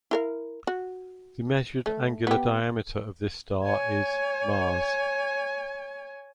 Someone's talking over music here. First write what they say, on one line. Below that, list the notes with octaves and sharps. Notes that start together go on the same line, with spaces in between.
The measured angular diameter of this star is mas.
E4 A#4 F5
F#4
A3
B3 G4
C#5 G#5